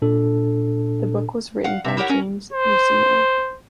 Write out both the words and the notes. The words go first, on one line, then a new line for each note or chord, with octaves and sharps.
The book was written by James Luceno.
A#2 D4 A4
F5 F#5
C3 E5
E4 G4 A#4 C#5 F#5
C#4 A#4
C5